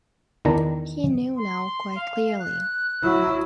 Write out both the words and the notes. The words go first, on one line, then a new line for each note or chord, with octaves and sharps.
He knew now quite clearly.
E2 D#3 D4 A#5
C6
F5
F#6
F#3 E4